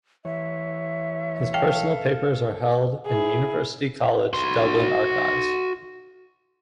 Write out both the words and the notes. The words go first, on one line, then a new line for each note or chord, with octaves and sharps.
His personal papers are held in University College Dublin Archives.
E3 C#5 E5
A4 F5 G5
E4 G#4
F#4 C6